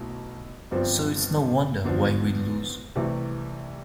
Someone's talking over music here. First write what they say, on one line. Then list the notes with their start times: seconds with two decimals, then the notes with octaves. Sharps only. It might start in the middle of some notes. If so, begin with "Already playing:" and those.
So it's no wonder why we lose.
Already playing: B1 B2 A3 E4
0.71 G1 G2 F3 C4
1.84 E2 D3 F3
2.95 C2 C3 E3 A3